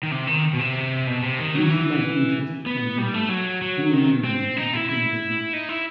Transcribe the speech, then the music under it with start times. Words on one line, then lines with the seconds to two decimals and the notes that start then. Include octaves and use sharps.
Most love interests have rivals, who will marry them if the player does not.
0.03 D#3
0.12 C3
0.27 D#3
0.53 B2
0.59 C3
1.07 B2
1.22 C3
1.39 D#3
1.55 F#3
1.70 E3
2.66 B3
2.98 G3
3.14 A3
3.29 F#3
3.62 F#3
3.93 D#3
4.25 C4
4.57 D#4
4.74 E4
4.89 E4
5.53 D#4
5.69 E4